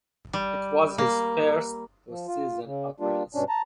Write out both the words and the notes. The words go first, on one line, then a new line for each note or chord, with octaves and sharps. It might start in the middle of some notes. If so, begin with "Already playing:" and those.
It was his first postseason appearance.
G3
A#3
F3
F4
C#3
G3 A#3 D4 F4
G2 B2 C#4 D4
A5 A#5